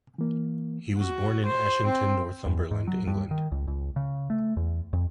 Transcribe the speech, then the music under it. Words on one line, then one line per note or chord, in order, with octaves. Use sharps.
He was born in Ashington, Northumberland, England.
E3 A#3
F#4
C5
C4
E2
G#2
F#3
G2
D#3
C#2
C#2
C#3
A3
E2
F2